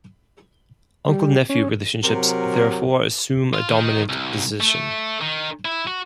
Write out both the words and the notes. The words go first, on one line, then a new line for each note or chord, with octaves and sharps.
Uncle-nephew relationships therefore assume a dominant position.
G3
C#4
C3 F#3 A#4
F4
D#3
C2
A3
D#3
E4
F#4